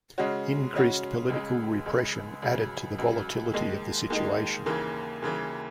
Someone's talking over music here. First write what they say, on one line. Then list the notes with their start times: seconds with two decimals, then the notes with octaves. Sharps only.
Increased political repression added to the volatility of the situation.
0.18 C#3 G#3 C#4 F#4
0.74 C#3 G#3 C#4 F#4
1.30 C#2 C#3 G#3
1.86 C#2 C#3 G#3
2.42 C#2 C#3 F#3
2.99 C#2 C#3 F#3
3.54 D#2 D#3 G#3
4.10 D#2 D#3 G#3
4.66 D#2 C#3 E3 A#3
5.22 D#2 C#3 E3 A#3